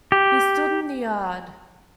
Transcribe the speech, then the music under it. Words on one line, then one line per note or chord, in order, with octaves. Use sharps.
He stood in the yard.
G4